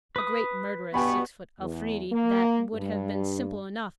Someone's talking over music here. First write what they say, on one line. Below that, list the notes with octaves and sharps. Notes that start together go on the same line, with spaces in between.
A great, murderous, six-foot Afridi--that would have been simple enough.
B4 D#6
G2 B2 B3 G5 G#5 B5 C#6
E2
A#3
G2